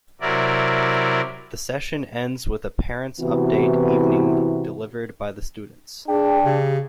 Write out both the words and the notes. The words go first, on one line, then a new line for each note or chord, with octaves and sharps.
The session ends with a parents update evening- delivered by the students.
C3 F#3 E4 A#4 D5
C3 E3 B3 E4 F#4
D4 G#4 G5
C#3 G4